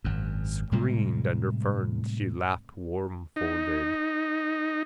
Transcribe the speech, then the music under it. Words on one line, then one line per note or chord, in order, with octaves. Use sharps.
Screened under ferns she laughed warmfolded.
G#1 F#2
A2 C3 G3 G#3
D#4